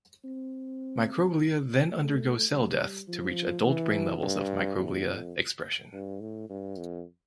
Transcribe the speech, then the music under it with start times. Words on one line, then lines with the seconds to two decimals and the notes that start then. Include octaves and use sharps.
Microglia then undergo cell death to reach adult brain levels of microglia expression.
0.24 C4
1.94 A3
2.51 G3
3.08 F3
3.64 E3
4.22 G2
4.79 E2
5.08 F2
5.93 G2
6.20 A2
6.49 G2
6.78 F2